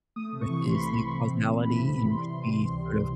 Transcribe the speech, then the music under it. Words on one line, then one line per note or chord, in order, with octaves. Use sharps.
versus the causality in which we sort of,
A3 D#6
C3
C#6
E3
C2 C6
B5
A3 C6
C3
C4
E3
A3
G#2 B5
C4
E3
G3 C6
C3
E3
C#2
G3
C3